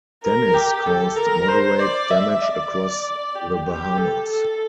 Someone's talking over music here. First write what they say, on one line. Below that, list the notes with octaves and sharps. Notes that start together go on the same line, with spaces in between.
Dennis caused moderate damage across the Bahamas.
A#4
G4
A4
A#4
C5
D5
E5
D5
G4
G4
A4
A4